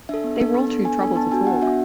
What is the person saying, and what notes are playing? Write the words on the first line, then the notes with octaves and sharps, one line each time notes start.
They were all too troubled to talk.
D4 A4 E5
B3
D4 A4
B3
D4 A4
B3 G#5
D4 A4
B3 A5
D4 F#4 G#5
B3 F#5
D4 F#4 E5